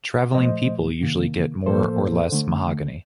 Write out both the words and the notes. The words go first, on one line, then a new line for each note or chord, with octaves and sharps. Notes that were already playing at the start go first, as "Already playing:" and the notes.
Travelling-people usually get more or less mahogany.
A#2 F3 A3 C5 D#5
C3 D#3 A#3
A2 F3 A#3 A4 C5
D3 A3